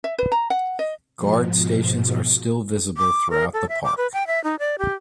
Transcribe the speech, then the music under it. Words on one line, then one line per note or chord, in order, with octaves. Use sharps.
Guard stations are still visible throughout the park.
E5
B4
A#5
F#5
D#5
G#2 B2 F3
D6
A#4
A4
E5
D6
B4
G5
E5
D#4
D5
G4